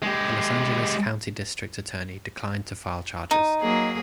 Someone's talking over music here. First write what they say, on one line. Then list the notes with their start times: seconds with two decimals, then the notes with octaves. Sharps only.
The Los Angeles County District Attorney declined to file charges.
0.03 G#3 G4
3.31 D#4
3.61 F#3 A#3 G#4